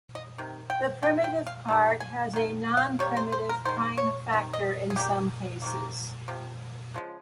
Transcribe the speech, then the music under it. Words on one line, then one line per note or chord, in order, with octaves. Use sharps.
The primitive part has a non-primitive prime factor in some cases.
D#5
C3 D#3
G5
D#3 G#3 G5
G5
F5
D#3 G3 A#3
G#5
D#3 A#3
F5
C3 G3 A#3 C#5
C5
C5
A#4
D#3 G#3 C5
C#5
C3 D#3
D#5
G#4
C#3 G3 A#3 G4
C3 D#3 A#3
C3 F3
C#3 F3 G#3